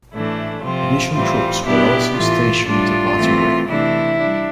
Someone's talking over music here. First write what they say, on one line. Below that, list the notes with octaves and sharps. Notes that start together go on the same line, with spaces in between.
Additional troops were also stationed about away.
A2 E3 A3 D4 E4
C3 F3 C4 F4
A2 E3 G3 C4 F4
B2 B3 D4 E4 G4
A2 E3 A3 F4
A2 G3 D4 F4
E3 A3 C4
C3 E3 A3 D4 E4
G3 D4